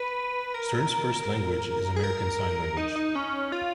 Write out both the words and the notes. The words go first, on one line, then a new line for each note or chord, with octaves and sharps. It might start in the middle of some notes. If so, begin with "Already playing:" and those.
Stern's first language is American Sign Language.
Already playing: B4
A#4
G#4
A#4
D#4
D#4
C#4
F4